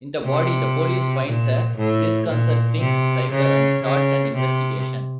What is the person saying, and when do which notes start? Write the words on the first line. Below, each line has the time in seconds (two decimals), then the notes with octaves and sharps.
In the body, the police finds a disconcerting cipher and starts an investigation.
0.23 C3
1.25 A#2
1.76 A2
2.28 A#2
2.80 C3
3.31 C#3
3.83 C#3
4.34 C3